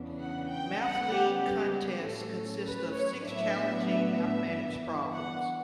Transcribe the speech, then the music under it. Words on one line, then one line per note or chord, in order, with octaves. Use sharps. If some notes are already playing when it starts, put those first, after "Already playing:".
Math League contests consist of six challenging mathematics problems.
Already playing: E2 C#3 E3 B3 D4
F#5
G5
C#3 G3 B3 F#5
G4
G4
G4
A2 F#3 C#4 A4
B4
C#5
A2 F#3 B3 D4 E5
E5
G2 E3 B3 D4
F#5